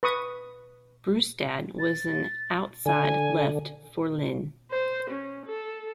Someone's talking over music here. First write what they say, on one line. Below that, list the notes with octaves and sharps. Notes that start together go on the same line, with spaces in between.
Brustad was an outside-left for Lyn.
B4 C#6 D#6
A6
D3 G#5
C5
C#4
A4